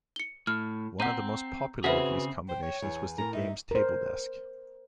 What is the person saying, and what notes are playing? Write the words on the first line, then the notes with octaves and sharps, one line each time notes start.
One of the most popular of these combinations was the games table desk.
C#7 G7
A2 F6
C4 F#5 A#5 G6 D#7
C#3 C4 F#4 G#4 B4 C5 E5 F#5
C5 G5
C#5
E2 G#5
A2 A#4 A#5
D#4 E5
A#4 C5